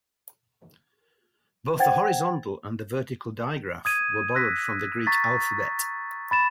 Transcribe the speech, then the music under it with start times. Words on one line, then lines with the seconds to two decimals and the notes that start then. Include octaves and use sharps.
Both the horizontal and the vertical digraph were borrowed from the Greek alphabet.
1.79 C5 F#5 G5 G#6 A6
3.85 D#6 G#6 D#7
4.35 E6 F#6 A#6 B6
5.06 A#5 C#6 A6 B6
6.31 B5 A6 E7